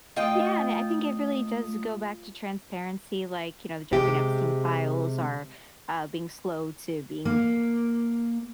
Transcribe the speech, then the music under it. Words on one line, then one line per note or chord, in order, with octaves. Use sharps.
Yeah, and I think it really does go back to transparency, like, you know, the Jeffrey Epstein files are, uh, being slow to being
A3 F4 D#5 G5 D#6
C3 G#3 G4
A#3